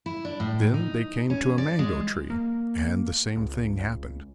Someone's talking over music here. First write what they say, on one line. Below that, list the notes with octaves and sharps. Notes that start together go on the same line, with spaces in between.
Then they came to a mango tree and the same thing happened.
E4
D4
A2
D#4
C#4
D5
G#3
A#3
C#2